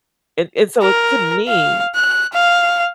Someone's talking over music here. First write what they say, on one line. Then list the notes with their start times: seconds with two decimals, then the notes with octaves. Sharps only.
and and, so, to me
0.82 A#4
1.48 F5
1.95 F#6
2.33 F5